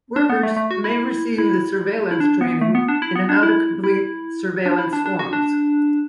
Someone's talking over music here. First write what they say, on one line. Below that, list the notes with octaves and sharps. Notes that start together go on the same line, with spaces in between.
Workers may receive the surveillance training in how to complete surveillance forms.
D4
B3
A3
A3
F#4
E4
E4
E4
D4
B3
A3
B3
D4
E4
B3
D4
E4
E4
D4
E4
D4
D4
F#4
D4